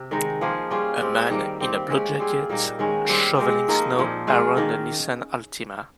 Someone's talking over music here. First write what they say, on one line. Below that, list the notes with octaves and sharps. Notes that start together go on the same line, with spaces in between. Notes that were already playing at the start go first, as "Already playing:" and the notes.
A man in a blue jacket shoveling snow around a Nissan Altima.
Already playing: C3
D#3 G#3 D#4
F3 A#3 F4 G#4
G3 C#4 F4 G#4
G#3 C4 G4
D#3 G3 A#3
G3 C4 G4
G#3 C#4 G4
G3 C4 F4 G#4
A#2 G3 A#3 D#4
D#3 G#3 C#4
G3 C4 F4
G#3 C4 G4
F3 A#3 D#4
A#2 F3 A#3
G#3 C#4 F4
D#3 A#3 D#4